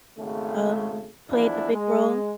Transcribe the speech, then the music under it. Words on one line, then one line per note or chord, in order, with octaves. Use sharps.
um, played a big role
G#1 C#3 A3
E2 F3 D4 E4
G#3